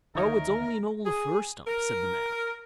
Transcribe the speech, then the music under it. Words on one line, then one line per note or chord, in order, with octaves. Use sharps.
'Oh, it's only an old fir-stump', said the man.
D2 D#3 D#4 A#4 C#5 D#5 E5
G#4
A#4